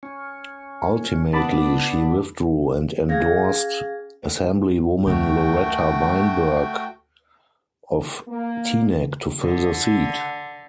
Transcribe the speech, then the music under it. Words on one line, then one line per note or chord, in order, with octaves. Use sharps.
Ultimately, she withdrew and endorsed Assemblywoman Loretta Weinberg of Teaneck to fill the seat.
C#4
B3 D4 A5 B5 D6
C#4 G#4 F5 G#6 A#6
D2 A3 F#4 G5
A#3
D3